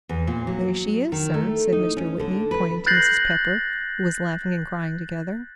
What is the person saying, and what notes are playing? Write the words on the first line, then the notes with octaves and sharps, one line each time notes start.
"There she is, sir," said Mr. Whitney, pointing to Mrs. Pepper, who was laughing and crying together.
E2
A#2
F#3
D#3
A3
D#4
C#4
D3
B4
F#6 G6 A6 A#6 C7 F#7